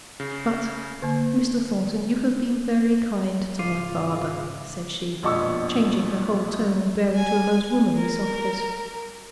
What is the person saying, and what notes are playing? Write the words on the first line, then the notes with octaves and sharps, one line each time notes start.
But, Mr. Thornton, you have been very kind to my father,' said she, changing her whole tone and bearing to a most womanly softness.
C#3
D3 A#3
G#2 C#3 F4 D6 C7 D#7
A#1 F2 B2 G#3 C#6 E6
G#5
A#4